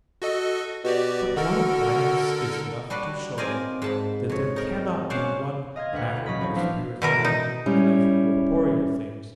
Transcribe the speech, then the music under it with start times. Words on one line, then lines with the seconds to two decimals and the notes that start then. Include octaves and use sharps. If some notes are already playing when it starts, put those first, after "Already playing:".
But one glance is enough to show that there cannot be one matter of spiritual and of corporeal things.
0.22 F#4 A4 D#5
0.84 B2 F#4 G4 D5
1.36 D3 F#4 A4 A#4
2.90 G3 D4 F#4 B4 D5 C6
3.38 C4 F4 A#4 D5 D#5 G#5
3.82 G#2 A5 B5
4.29 F2 C#5
4.56 D#4 A#4
5.10 C#4 C5 D5 F5 F#5
5.76 D#5 F5 C6 G#6
5.93 D2 B2 B4 F5 F#5
6.26 F#3 C#4 D#5 B5
6.41 A2 A3 C4
6.56 F3 B3 D4 E4 C5 F5
7.02 B2 E3 A#4
7.25 D#4
7.66 G3 C#4 E4